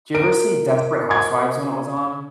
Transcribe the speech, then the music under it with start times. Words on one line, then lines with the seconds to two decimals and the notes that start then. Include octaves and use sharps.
Do you ever see Desperate Housewives when it was on?
0.15 A#4 D7
1.11 G#6